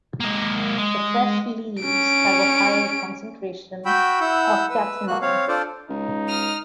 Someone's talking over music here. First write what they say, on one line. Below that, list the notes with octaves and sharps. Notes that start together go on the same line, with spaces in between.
The fresh leaves have a higher concentration of cathinone.
G#3 A#3
G#3
C#4 D7
F#4 G5 B5 E6 G6
E4 F#5 E6 G6
B4 E6
A#3 F#4 F#6
C4 C#5 F5
D4 F4 A4 C5 D5
C#2 D#4
D#6 F6